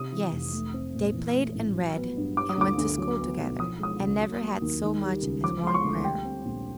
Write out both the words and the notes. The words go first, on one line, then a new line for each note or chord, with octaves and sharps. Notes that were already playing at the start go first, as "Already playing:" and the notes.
Yes, they played and read and went to school together, and never had so much as one quarrel.
Already playing: C3 D#6
E3
F1
A3
C4
A#2
E3
A3
A1
F#3
B3
G2
G3 D6
D#6
D2 D6
D2
F#3
B3
B1
F3 D#6
G#3 D#6
C#2
F#3
A#3
D#2
D#3
G3
C#2
F3 D6
G#3 C6
C#6
D2
G3 G5
C4
A#1